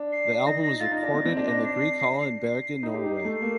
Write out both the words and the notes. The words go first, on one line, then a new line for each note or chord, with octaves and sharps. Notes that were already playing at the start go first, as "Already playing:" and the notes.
The album was recorded in the Grieg Hall in Bergen, Norway.
Already playing: D4
C7
D#4 A#6
A#6
F4 A6
D#4
A#6
D4
C4
C4
D4
D4 A#6
C7
C7
D#4
G4
D#4
C7
A3
A#3